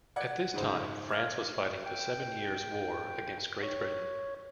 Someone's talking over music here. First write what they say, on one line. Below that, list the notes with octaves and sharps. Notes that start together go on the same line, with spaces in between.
At this time France was fighting the Seven Years' War against Great Britain.
D5 F#5 G#6
G#2 C#3 C5
F5 F6 G#6
G5
C#5